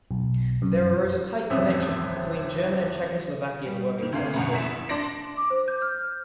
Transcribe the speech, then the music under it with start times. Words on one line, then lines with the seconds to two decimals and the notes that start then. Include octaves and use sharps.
There arose a tight connection between German and Czechoslovakian working-class sportsmen.
0.11 B1
0.62 F#2
1.50 D#1 A1 F2 C3 E5 D#6
3.66 G3
3.98 D#3 A#3
4.12 D2 C3 A3 F5
4.33 A1 F#2 B2 F#5
4.53 A#1 E4 B6 E7
4.89 D4 D5 C6 A#6 D7
5.37 D6
5.50 C5
5.68 G6
5.82 F6